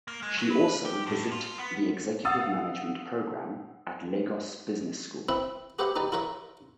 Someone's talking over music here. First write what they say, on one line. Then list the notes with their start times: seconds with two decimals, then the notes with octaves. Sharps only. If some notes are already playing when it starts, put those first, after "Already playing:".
She also visit the Executive Management Programme at Lagos Business School.
0.08 A#3
0.22 G#3
0.38 F#3
0.51 B4
0.85 G4
1.07 A2
1.32 F4
1.59 B3
2.25 F5 F#5 D#6 E6 A6
5.29 C4 E4 B4 E5
5.79 F#4 G4 B4 C5 E5 F#5
5.96 D#4 G4 B4 D5
6.12 E4 F4 A#4 B4 C#5 E5